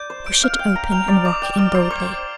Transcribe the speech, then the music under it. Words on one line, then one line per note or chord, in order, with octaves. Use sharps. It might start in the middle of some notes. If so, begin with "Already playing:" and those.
Push it open and walk in boldly.
Already playing: D5 G6
C5
D7
F5
G5 G6
A#5
G5 F7
D5
D5 D6
G5
D5 F6
C5
C5 D6